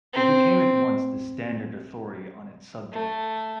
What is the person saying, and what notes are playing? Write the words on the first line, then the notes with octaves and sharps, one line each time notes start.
It became at once the standard authority on its subject.
C4
A3